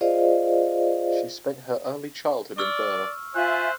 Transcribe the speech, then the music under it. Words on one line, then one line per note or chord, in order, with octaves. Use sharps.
She spent her early childhood in Burma.
F4 G#4 C5 D5 D#5 F5
D5 C#6 E6 F6
F4 C5 E5 G#5 F#6